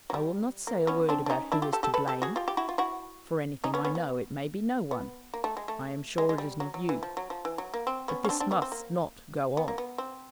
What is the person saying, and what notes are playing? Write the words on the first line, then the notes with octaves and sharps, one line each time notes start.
I will not say a word about who is to blame--for anything I know, it may be no one--I am sure it is not you. But this must not go on!
F#3
G3
A#3
B3 C#4
C4 D4
D4
C#4 D#4
D4 E4
F4 G4
G4 A4
G4 A4
A4 B4
G4 A4
F#4 G#4
F4 G4
G4
E4 F#4
F4
E4 F#4
C#4 D#4
B3 C#4
B3 C#4
B3
B3
A#3
A3
G#3
A3
G#3
G#3
G3
F#3
F#3
E3
F3
F#3
F3
E3
F#3
A#3
C4
B3 C#4
C#4
C4 D4
C4 D4
B3 C#4
C4
A#3
B3
A#3
B3
C4